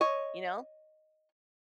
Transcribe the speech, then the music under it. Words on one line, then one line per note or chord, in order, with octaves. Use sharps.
you know.
C#5 D#5